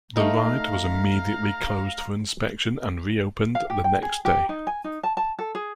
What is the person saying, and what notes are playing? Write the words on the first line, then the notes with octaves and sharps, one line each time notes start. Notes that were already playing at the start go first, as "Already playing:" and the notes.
The ride was immediately closed for inspection and reopened the next day.
A3 D#4 F5 A#5
F5
G4
G5
G#4
G4
D#4
G#5
D#4
A5
A5
A4
G#4